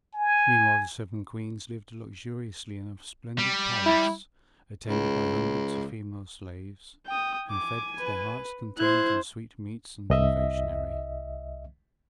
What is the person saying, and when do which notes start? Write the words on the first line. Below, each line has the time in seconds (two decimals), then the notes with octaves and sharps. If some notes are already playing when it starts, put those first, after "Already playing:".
Meanwhile the seven Queens lived luxuriously in a splendid palace, attended by hundreds of female slaves, and fed to their hearts' content on sweetmeats and confectionery.
0.14 G#5
3.39 G3
3.86 E4
4.87 C#2
7.06 G5 D#6
7.50 G#5 D6
7.99 B4
8.78 E4 C5 F#6 G#6
10.10 C2 D#5 E5